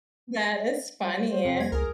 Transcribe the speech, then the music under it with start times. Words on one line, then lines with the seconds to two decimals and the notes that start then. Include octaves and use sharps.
Yeah, that is funny.
1.30 C5
1.44 F2 C3 C4
1.60 G#6 A#6
1.72 C#2 G#4 A#4